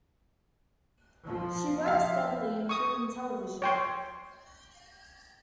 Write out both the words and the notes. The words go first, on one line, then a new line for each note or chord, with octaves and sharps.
She worked steadily in film and television.
F3
E5 F5
C#6 D#6
C#5 G5 C6